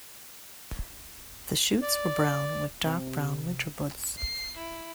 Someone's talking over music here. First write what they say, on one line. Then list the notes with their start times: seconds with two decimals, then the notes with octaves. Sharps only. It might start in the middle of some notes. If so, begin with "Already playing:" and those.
The shoots are brown, with dark brown winter buds.
1.82 D5
2.86 C3
4.18 C7
4.57 E4